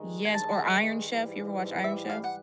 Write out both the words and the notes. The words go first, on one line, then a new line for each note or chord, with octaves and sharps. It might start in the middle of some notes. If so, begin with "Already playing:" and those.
Yes, or Iron Chef, you ever watched Iron Chef?
Already playing: G2 D#3 G#3
G#5
A5
G#2 E3 G3
E5
F5
F#5